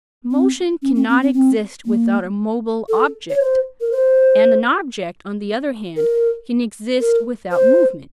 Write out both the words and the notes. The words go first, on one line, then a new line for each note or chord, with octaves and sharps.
Motion cannot exist without a mobile object; and an object, on the other hand, can exist without movement.
C4
C#4
C4
C4
C4
C4
A#3
A4
C#5
C5
A#4
C5
A#4
A#4
C5